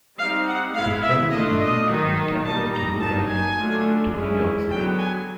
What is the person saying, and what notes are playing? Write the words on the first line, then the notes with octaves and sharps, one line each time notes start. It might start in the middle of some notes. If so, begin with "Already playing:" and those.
The family moved from Canada to Rhode Island to New York City.
G3 C4 D#4 F5
F#5
G#3 B3 E4 F5
E5
A3 D4 F4 D#5
D#5
D#3 F#3 A#3 D#4
G3 A#3 D#4 A5
A#5
F#3 A#3 D#4 A5
G#5
D3 F#3 A3 D4 F4
G#3 C#4 E4
D3 F#3 B3 G5
G#5